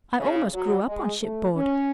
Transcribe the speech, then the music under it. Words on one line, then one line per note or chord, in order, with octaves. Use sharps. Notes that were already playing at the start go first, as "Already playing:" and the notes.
I almost grew up on shipboard.
C#3
F#3
G#3
A3
C#4